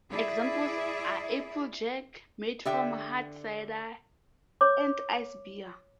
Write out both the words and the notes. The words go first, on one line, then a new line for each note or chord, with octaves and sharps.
Examples are applejack, made from hard cider, and ice beer.
E4 G#4 D5 E5
D3 G4 E5 G5
C#5 D6